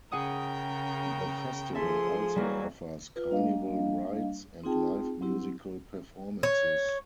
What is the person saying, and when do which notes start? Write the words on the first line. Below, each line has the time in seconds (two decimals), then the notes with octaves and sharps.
The festival also offers carnival rides and live musical performances.
0.12 C#3 G#4 A#4 F#5 G5 D#6
1.75 F3 G#4 A4 E5 C6
2.36 E3 F#3 G3 A#3
3.16 F4 B4
3.29 G3 A#3 D4 D#5 F5
4.64 C4 D#4 F4 G#4 G5 A5
5.21 F#3 C4 E4 G4
6.43 C#5